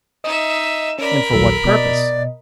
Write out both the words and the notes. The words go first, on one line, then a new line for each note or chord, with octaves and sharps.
And for what purpose?
D#4 D#5 E5
C#4 A#4 D5 B5
A#1 D#2 F#3 A4
B2 D5 D#5